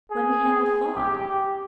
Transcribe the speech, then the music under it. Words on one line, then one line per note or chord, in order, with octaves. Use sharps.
"When we have a fog."
G#4
G4